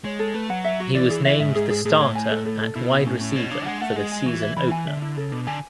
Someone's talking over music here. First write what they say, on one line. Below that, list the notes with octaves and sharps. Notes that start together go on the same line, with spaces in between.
He was named the starter at wide receiver for the season opener.
G#3 C#5
A4
A3 B4
F#3 F#5
E5
F#4
E3 D5
G#4
E3 E5
G#2 E5
G#4
G#4
A2 G#4
C#5
G#5
A4
A4
A4
B2 E4
E4
A2 C#4
C#4
B2 C#5
C#3 D4
G#3 F#5
A3 F#5
G#3 G#4
G#5
E3 F#4
E5
E3 B5
G#5
D3 E5
E4
C#3 A4
B2 D4
D3 G#5